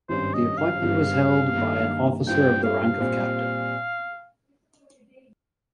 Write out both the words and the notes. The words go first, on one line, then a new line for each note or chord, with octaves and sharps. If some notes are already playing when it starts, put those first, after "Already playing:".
The appointment was held by an officer of the rank of Captain.
G#1 G2 G3 C#4 C5
D#5
F5
G1 G2 G3 C4
G2 D#3 A#3 D#4
G2 G3 C4 F4 G5
F5
A#2 G3 C4